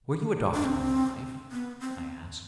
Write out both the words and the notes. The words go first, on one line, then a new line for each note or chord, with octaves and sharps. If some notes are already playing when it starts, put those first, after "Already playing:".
"Were you a doctor when alive?" I asked.
D4
C4
B3
C4